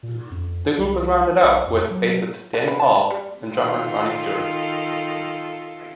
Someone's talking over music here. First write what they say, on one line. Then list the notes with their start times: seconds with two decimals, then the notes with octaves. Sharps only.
The group was rounded out with bassist Danny Hull and drummer Ronnie Stewart.
0.03 A#2
0.31 F2
0.79 C2
1.43 B1
1.67 F2
1.90 F#3
2.54 E3
2.68 B4
2.80 A5
2.95 A5
3.10 G3
3.52 D#3 F4 A4